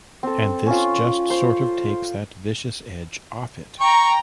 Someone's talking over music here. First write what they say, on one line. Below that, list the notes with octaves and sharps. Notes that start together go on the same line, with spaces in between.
And this just sort of takes that vicious edge off it.
C4 A4
C#4 F4
C5
G5 A#5 C#6